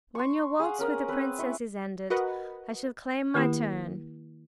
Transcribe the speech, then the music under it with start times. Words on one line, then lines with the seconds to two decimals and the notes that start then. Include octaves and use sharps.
When your waltz with the Princess is ended I shall claim my turn.
0.15 C6 C#6
0.60 G#4 F5 F#5
0.79 C#4 A#4 D#6
1.08 C4 B4
1.39 E4 C#6
2.10 F#4 A#4 B4 D#5 F#5
3.34 D#3 A#3 E4 G4